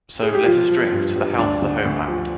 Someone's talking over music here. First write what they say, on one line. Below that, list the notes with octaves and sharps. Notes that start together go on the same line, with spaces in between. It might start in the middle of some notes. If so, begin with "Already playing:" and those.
So, let us drink to the health of the homeland.
G#4
G4
F3 F4
F3
G2
G2
D2 D4
D3
D2
F3